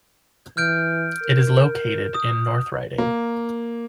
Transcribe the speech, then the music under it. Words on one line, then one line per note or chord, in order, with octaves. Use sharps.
It is located in Northriding.
E3 F6 G6 D7
A#4
D#6
A#3